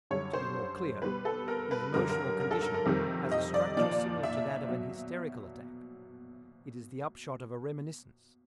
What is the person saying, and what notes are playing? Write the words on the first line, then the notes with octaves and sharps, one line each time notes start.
To be more clear: the emotional condition has a structure similar to that of an hysterical attack; it is the upshot of a reminiscence.
F#2 D3 G3 C#5
C5
B2 G3 B4
A4
A#4
B4
F#2 D3 G3 A#4
A#4
A#4
A4
A#4
A#4
F2 C3 D#3 G3
D#5
D5
A#2 F3 D5
D5
E5
B2 F#3